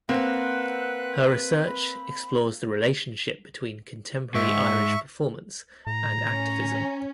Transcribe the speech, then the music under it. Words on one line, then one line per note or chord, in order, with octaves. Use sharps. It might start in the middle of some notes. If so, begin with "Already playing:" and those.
Her research explores the relationship between contemporary Irish performance and activism.
A#3 C4 B4 F#5
B5
G#2 E5 C#6
A2 A#5
C#4